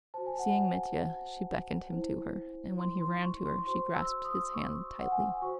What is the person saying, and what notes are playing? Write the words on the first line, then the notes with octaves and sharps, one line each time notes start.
Seeing Mitya, she beckoned him to her, and when he ran to her, she grasped his hand tightly.
F#4 C5 A5
G#5
F#5
G#5
E4 C5
C6
C6
C#6
C6
F#4 C5 C6
E6
D#6
C#6
F#5
G#5
F#4 C5 C#6